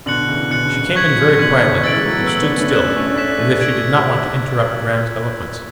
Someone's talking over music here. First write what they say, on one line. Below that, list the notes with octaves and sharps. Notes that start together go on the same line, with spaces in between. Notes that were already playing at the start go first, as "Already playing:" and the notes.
She came in very quietly, and stood still, as if she did not want to interrupt Graham's eloquence....
B2 D3 F#6 C#7 F#7
C#3 E3
B2 D3 F#6 C#7 F#7
C#3
B2
C#3 C#6 G#6 B6 F#7
B2 D3
B2 D3 C#6 G#6 B6 F#7
C#3 E3 E6 A6 D7 F#7
E3 G#3
F#3 A3
G#3 B3
E6 A6 D7 F#7
B3 D4
B3
A3 C#4
C#4 F#6 B6 E7
D4
A3 C#4
D4
A3 C#4 F#6 B6 E7
D4
A3 C#4
G#6 D7 F#7